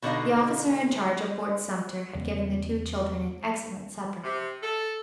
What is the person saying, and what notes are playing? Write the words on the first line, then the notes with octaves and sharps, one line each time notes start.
The officer in charge of Fort Sumter had given the two children an excellent supper.
B2 D3 D#4 G#4 D#5 F5
E2 C#3 A#3 C4
C3
A4